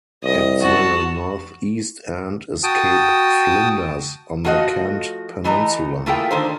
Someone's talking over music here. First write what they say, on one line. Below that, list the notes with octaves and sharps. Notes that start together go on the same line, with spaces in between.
At the northeast end is Cape Flinders on the Kent Peninsula.
C2 D#5
F#4 A5
F#4 G5 A5 D#6
F3 A3 F#4 C#5 D#5 F5
E3 A3 D#5 A#5
A3 A#3 E4 F4 G#4 G5
D3 D#3 C5